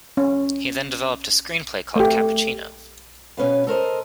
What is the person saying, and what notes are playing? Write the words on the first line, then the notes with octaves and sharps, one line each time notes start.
He then developed a screenplay called "Cappuccino".
C#4
A3 G4
B2 C#4 B4 F5
A4 A#4 C5 D#5